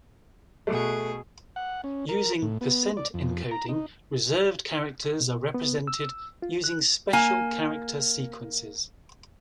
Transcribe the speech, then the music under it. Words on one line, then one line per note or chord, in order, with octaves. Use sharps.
Using percent-encoding, reserved characters are represented using special character sequences.
B2 A3 G#4
F#5
C#4
A#4
A2
B3
D5
F2
A#5
D#4
B2
B3
E6
F4
F#6
A#3 G#5